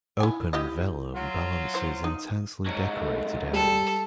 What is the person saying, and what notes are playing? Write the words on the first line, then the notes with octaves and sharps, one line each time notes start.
Open vellum balances intensely decorated areas.
E4 G#5
E4 G4 D#5
F#3 F4
E4 C5
D#4
G#2 F#3
A3
G3 A4